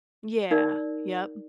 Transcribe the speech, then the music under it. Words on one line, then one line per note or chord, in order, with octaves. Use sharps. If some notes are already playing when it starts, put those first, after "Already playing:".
Yeah. Yep.
D#4 A#4 D5